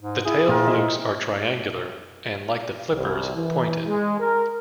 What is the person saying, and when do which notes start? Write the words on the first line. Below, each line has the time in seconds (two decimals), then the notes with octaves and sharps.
The tail flukes are triangular and, like the flippers, pointed.
0.01 G#2
0.26 E4 G#4
0.49 A#2 C4 F4 A#4
0.66 D#5 E5 C6
2.94 C2
3.36 E3
3.86 G#3
4.19 A#4